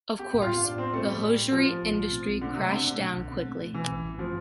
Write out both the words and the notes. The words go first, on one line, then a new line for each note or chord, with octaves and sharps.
Of course, the hosiery industry crashed down quickly.
B3 G4
A2
F4
B3
A2 D4
B3 C4
A2 A3
G3 B3
A2
A2
F3 B3
A2
B1
A3
C4
B1
D3 A3
C3 C4
D3 A3
B2
B2
B1
C4
A3
B2
D3 E3
A1
G2
F3 A3